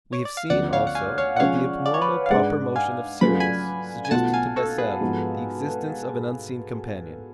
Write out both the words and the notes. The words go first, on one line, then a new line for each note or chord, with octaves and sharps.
We have seen, also, how the abnormal proper-motion of Sirius suggested to Bessel the existence of an unseen companion.
C#5
D5
F5
D2 C#3 F3 B3 D5 F#5
C#5 F5
F#5
F5 G#5
C#5 F5
F#5
C#3 F3 G#3 C#4 C#5 F5
D5
C#5
B4 D5
F5
G#2 G#3 D4 G#4 B4 D5 F#5
F5 G#5
C#3 F#3 A3 F4 B4 B5
G#5 B5
G#5
B1 B2 A3 F4 F#5 A5
F5 G#5
F#4 A4
G#4 B4
G#2 F3 B3 F#4 A4